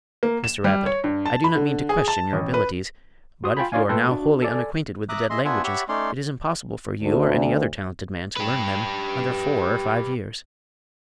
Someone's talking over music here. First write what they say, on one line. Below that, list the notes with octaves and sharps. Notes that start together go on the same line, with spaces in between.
"Mr. Rapid, I do not mean to question your abilities; but if you are now wholly unacquainted with the dead languages, it is impossible for you or any other talented man to learn them under four or five years."
A#3
E7
G3
C#5
G2
A5
B5
D3
G#4
A5
A1
B4
F#4 C6 D#6
F4 G5 G#5 B5
D#4 F4 C#5 D5 F5 G#5
A#2 A3 A4 B4 G5 C6
D4 F#4
A4 D5 G#5
E5 A#5 D6 D#6 F#6
G#4 D#5 E5 C6
B3 D4 F4 E5 F#5 G#5
G4 C#5 E5 F#5 B5 C#6
A3 C#4 D#4 C#5 D5 C6
D2
G4 B4